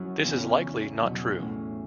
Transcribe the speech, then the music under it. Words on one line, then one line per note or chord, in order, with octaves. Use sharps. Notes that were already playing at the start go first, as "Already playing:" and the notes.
This is likely not true.
Already playing: F#2 F#3 C#4 E4
E2 C#3 E3 B3
C#4
C#4
E2 E3
E2 B2 F#3
A2 E3 C#4